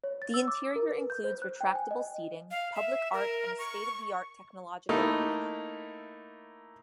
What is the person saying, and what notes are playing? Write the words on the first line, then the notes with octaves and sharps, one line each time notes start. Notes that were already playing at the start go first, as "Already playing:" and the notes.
The interior includes retractable seating, public art and a state-of-the-art technological arena.
C#5
A6
E6
D6
A#4
B4
G6
C5
F#6
G5
G#5
D#5
F5
E5
A#4
C#6
A3 A#3 D#4 E4